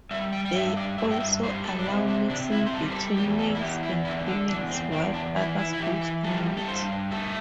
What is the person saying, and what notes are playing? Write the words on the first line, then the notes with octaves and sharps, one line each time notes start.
They also allow mixing between males and females while other schools do not.
G3 E5
G5
G5
G2 E5
D5
G2 E5
G5
E5
G3 C5
A4
D4
C3 E4
D4
C3 D4
E4
C5
G3 A4
C5
A4
E2 G4
A4
E4
E2 G4
E4
D3 E4
D4
E2 D4
C4
E2 C4
D4
E3 E4
E4
E4
E3 G4
E4
G3 A4
A4
G2 C5
A3 A4